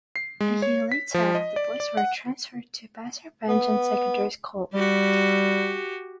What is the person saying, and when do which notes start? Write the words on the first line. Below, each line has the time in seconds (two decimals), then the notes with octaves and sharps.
A year later the boys were transferred to Pasir Panjang Secondary School.
0.16 C7
0.40 G#3
0.62 C#5
0.92 B6
1.14 F3
1.35 D#5
1.56 D5
1.80 D5
1.97 F#5
3.49 B3
4.74 G3 F#4 G4